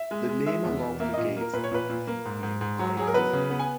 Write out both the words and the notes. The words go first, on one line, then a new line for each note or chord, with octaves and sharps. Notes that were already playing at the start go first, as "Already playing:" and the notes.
The name alone negates the band from being R and B.
Already playing: E5
G#3
G#3
G#3 E5
E2
E2
A#3 E5
A#2 D#5
A#3 A#4
A#2 B4
C#5
A#2 B4
A#2
A#3
G#2
G#2
G#2
F#3
F#3 G#4
A#4
B3 B4
C#3
B3
G#5